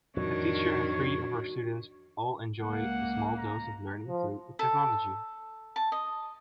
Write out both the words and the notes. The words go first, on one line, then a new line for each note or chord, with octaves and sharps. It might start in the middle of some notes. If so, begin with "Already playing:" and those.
A teacher and three of her students all enjoy a small dose of learning through technology.
F2 A2 D#3 G3 D4 F#4 C#5
C#2 A#3 F#5
A#5
F3
A4
A5
D#5